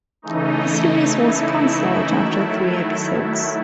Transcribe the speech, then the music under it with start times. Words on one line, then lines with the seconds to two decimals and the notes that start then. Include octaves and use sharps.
The series was canceled after three episodes.
0.22 C#3 E3 A3 D#4
1.18 E4
1.66 E4
2.14 D#3 F#3 A3